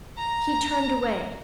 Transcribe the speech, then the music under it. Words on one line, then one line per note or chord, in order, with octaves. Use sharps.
He turned away.
A#5